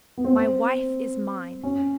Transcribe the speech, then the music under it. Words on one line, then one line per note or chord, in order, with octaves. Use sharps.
My wife is mine.
B3
C4
C#4